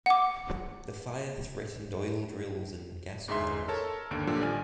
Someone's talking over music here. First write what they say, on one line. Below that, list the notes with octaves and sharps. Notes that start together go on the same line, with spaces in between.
The fire threatened oil drills and gas wells.
F#5 D6
G1 G#2 D#4 G#4 E5 C6
A4 A#4 C#5 A5
G1 D#2 D3 D7
A#2 D3 F3 G3
A1 D5 G#5 F6